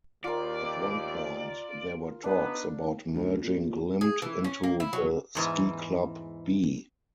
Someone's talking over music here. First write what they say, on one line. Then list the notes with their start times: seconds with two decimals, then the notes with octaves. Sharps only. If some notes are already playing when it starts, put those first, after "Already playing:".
At one point, there were talks about merging Glimt into the Ski Club B.
0.24 D#2 F4 A#4 D5
2.24 B3 D4 D#4 B4
3.14 D2
3.43 A#2
4.01 G#4
4.22 E3
4.44 C#4
4.64 A#3
4.80 E4
4.93 F#3
5.35 E2 G#2 E3